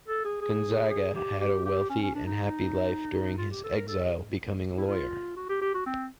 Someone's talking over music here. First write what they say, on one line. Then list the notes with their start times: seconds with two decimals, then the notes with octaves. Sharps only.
Gonzaga had a wealthy and happy life during his exile, becoming a lawyer.
0.08 A4
0.25 G#4
0.41 G#4
0.90 G#4
1.15 G4
1.40 G4
1.66 G4
1.90 C#4
2.02 C#4
2.15 D4
2.26 D#4
3.38 F4
3.51 G4
3.64 A4
3.75 A#4
3.88 A4
4.05 G#4
4.78 E4
4.88 F4
5.36 F#4
5.49 G4
5.62 G4
5.74 F#4
5.86 C4